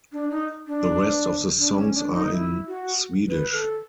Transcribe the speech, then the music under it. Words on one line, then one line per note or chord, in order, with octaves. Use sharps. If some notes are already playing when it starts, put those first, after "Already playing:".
The rest of the songs are in Swedish.
D4
D#4
D4
D4
C#4
D4
D#4
E4
F#4
B4
A4